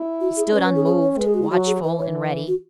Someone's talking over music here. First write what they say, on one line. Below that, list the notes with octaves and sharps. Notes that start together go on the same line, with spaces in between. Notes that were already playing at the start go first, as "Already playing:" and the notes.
He stood unmoved, watchful and ready.
Already playing: E4
F#4
G#4
C#4 B4
B4
G#4
G#4
C#5
G#3 B4
G#4
F#4
E4
F#3 F#4
G#4
E3 B4
C#5
F#4